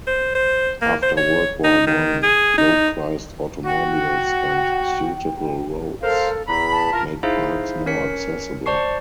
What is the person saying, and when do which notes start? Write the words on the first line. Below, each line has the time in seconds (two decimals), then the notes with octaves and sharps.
After World War One, low priced automobiles and suitable roads made parks more accessible.
0.07 C5
0.35 C5
0.82 A#3
1.02 C5
1.17 C#5
1.64 D#4
1.87 D#3
2.23 G#4
2.58 D#4
3.65 F#4 G5
6.03 A4 A#4 C5 F5
6.48 E2 A#5 B5
6.72 A5
6.93 F4 A#4
7.23 D#4 E4 G#4 C5 E5 F5
7.86 C#4 A#4 C#5 B6 C#7
8.66 C5 D5 A5 C#6 C7